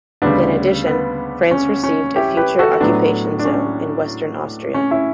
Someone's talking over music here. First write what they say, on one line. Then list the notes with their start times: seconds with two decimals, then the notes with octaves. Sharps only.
In addition, France received a future occupation zone in western Austria.
0.22 D2 C#3 G3 B3 D4
0.87 B3
1.51 C#4
1.83 C#4
2.16 E4 G4
2.37 G4 B4
2.59 F#4 A4
2.80 A2 F#3 A3 B3 D4
3.39 D4
3.45 C#4
4.74 C#4
4.91 C#4 E4